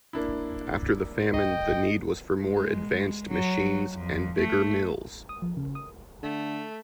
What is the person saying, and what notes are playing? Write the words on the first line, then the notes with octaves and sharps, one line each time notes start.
After the famine the need was for more advanced machines and bigger mills.
A#3 D4 E4
D#5 G5
G#3
F#3
F2
A3
D#6
F3
C#3
D#6
D3 A3